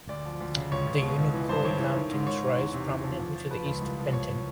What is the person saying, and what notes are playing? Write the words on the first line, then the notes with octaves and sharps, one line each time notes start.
The Unicoi Mountains rise prominently to the east of Benton.
D2 D5
F3
D2
C#3
C#2 C#5
C#2
B2
C#2
E3
G2 C5
G2 C#5
E3
D#3
G#2
D#3 C#5
D#3
E2
C3
E2
F3
F3
F3
F3 B4
C#2
C2
F3
C2 C#5